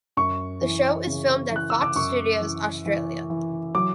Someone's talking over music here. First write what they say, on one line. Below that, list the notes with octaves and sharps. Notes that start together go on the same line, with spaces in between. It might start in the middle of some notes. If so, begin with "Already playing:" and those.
The show is filmed at Fox Studios Australia.
F#2 C#6
E3
C#3
E3
F#6
E6
D6
F#2 C#6
E3
E3
E3
F#3 D6